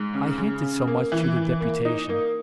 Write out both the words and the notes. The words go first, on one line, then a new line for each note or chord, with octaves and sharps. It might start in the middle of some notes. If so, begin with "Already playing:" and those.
I hinted so much to the deputation.
Already playing: G#2
C#3
C#3
C#3
A#3
E3
E3
A#3
D#4
A#3